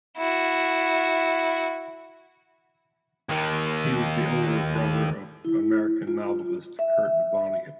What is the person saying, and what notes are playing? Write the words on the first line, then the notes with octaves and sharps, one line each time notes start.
He was the older brother of American novelist Kurt Vonnegut.
E4 F#4
D#2 D#3
E4
F4
E5